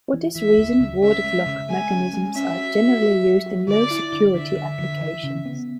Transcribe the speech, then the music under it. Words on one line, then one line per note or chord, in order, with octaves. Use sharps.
For this reason warded lock mechanisms are generally used in low security applications.
E3
E3 E5
D2
C#3
C#4 E5
G#3
C#3
G#3 G#5
C#4
G#3
C#4 E5
F#4
F#4
F#4
F#3
F#4
D3 D5
E4
D3
D3 E5
D3
D3
E3
C#3
B3